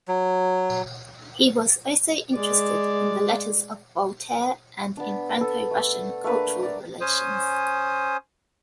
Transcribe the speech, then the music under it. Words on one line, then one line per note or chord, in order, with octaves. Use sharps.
He was also interested in the letters of Voltaire and in Franco-Russian cultural relations.
F#3
G#3 D5
B3 D4
B3 A4
A3
A3 A#3 D4 B4
A#4 D5
C#4 C5 G#5 D#6